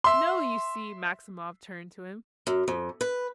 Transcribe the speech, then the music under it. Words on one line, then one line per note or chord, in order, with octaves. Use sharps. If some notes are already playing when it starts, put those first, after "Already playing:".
"No, you see," Maximov turned to him.
E5 C6
F#2
F2
B4